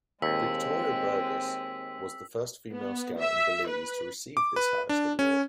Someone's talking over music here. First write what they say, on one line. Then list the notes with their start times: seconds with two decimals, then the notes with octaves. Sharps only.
Victoria Burgos was the first female Scout in Belize to receive this highest award.
0.22 D#2 G#3 C4 E6 B6
2.74 B3
3.19 E5
3.68 B4
4.37 D6
4.56 B4
4.89 D4
5.19 C#4